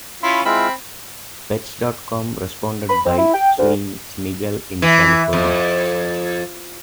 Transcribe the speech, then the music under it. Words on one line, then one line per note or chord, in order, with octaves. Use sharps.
Pets dot com responded by suing Smigel in California.
C#4 E4 F4 B5 C6
G#3 C4 E4 F4 B5
B5
C4
E4
G5
D2
E3
F2